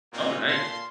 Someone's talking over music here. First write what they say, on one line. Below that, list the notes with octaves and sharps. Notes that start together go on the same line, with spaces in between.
Oh, nice.
A#2 F#3 A#3 C4 D#4 F4
A#2 F5 A5 C6